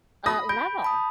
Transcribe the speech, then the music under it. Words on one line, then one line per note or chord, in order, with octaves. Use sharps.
uh, level.
B5 D#6 A#6
B5 G6 D7
A5 B5 D#6